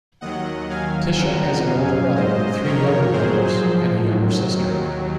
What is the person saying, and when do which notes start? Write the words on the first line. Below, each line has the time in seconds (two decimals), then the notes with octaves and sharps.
Tisha has an older brother, three younger brothers, and a younger sister.
0.21 D#2 D#3 F#3 D#5 F#5
0.70 D#2 D#3 F#3 F5 G#5
1.19 F2 C#3 F3 F#5 A#5
1.67 F#2 C#3 F#3 F5 G#5
2.16 G#2 F#3 C5 D#5
2.64 F2 C3 D#3 A#4 C#5
3.13 A#2 F#3 G#4 C5
3.62 G#2 F3
4.10 F#2 D#3 F#3
4.58 D#2 D#3 F#3